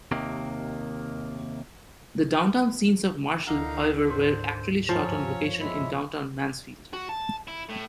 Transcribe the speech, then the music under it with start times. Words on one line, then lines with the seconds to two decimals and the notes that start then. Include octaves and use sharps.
The downtown scenes of Marshall, however, were actually shot on location in downtown Mansfield.
0.11 D#2 C3 D#3 A#3
3.47 D2 D3 D#3 D#4 E4 F5 A#5 D6
4.10 G#2 C5
4.89 G2 F3 F#3 C#4 C#5 F5
5.60 G#3 E4 E5
6.93 F#4
7.09 A5
7.48 E4
7.69 A2